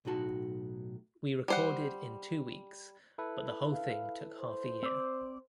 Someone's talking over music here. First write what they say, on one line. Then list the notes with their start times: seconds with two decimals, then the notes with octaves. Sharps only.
We recorded in two weeks but the whole thing took half a year.
0.05 B1 A2 D#4 F#4 A5
1.48 G3 C5 F#5
3.18 E4 A4 B4
3.73 F5
4.39 C5
4.83 C4 D5